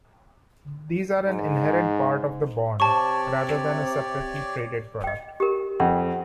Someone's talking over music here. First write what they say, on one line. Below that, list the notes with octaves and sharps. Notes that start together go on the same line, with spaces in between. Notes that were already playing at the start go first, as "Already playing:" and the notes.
These are an inherent part of the bond, rather than a separately traded product.
G#2
C3 G4 C#5 D5 A5 C#6
D#5 G5
G4 A#4
F2 F#5